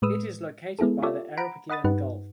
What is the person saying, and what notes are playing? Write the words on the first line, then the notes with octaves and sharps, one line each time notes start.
It is located by the Ambracian Gulf.
A2 G#3 B4 D#6 E6
G#3 B3 E4 G#4 A4
F4 G4 A4 C#5 D5 E5
F#5 A#5 B5 D7
D#5 F#5 B5 D#6 A6
G2 D#4 G4 B4 F#5